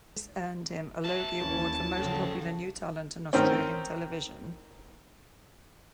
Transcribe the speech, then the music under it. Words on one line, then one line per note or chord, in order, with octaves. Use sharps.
This earned him a Logie Award for Most Popular New Talent on Australian television.
F#4 B4 E5 A5
D#2 E3 C#4 E4
C#3 F3 F#3 C#4 A4 G5
D#3 C4 C#4